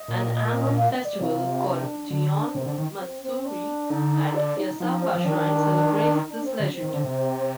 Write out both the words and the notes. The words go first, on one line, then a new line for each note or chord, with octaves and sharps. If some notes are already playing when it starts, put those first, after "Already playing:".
An annual festival, called "Gion Matsuri", at Yasaka Shrine celebrates this legend.
Already playing: D#5
A#2
F5
D#5
D5
C3 F4
D4
D3 D4
C3 C4
D3
D#3
C4
C4
D4
D3 D#4
D5
D#4
F3 D#4
C4
F3
D#3 D4
D#4
D4
C4
D3
C4
D#3
D3
C3